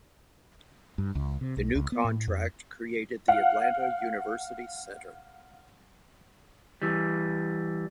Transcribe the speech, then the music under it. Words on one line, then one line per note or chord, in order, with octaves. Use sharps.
The new contract created the Atlanta University Center.
G2
C#2
C3
B1
C#2
B3
A2
F2
F5 F#5
E3 G3